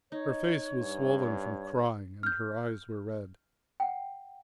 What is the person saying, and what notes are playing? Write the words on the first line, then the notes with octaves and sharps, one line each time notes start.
Her face was swollen from crying and her eyes were red.
D#4 C#5
G2
F6 G6
F#5 G5